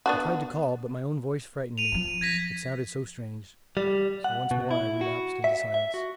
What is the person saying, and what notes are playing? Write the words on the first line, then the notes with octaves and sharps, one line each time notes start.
I tried to call, but my own voice frightened me--it sounded so strange; so once more I relapsed into silence.
B3 D4 F#4
D#7 F7
F3 C#4
G#6 A#6 B6
G3
F#5
B2
E4
F#4
E5
E5
F#4